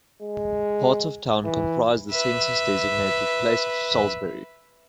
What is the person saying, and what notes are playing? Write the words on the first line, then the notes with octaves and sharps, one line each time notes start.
Parts of town comprise the census-designated place of Salisbury.
G#3
E3
B4 E5